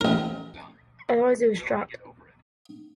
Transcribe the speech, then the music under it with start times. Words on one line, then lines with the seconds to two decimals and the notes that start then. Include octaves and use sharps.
Otherwise, it was dropped.
0.01 A1 A#4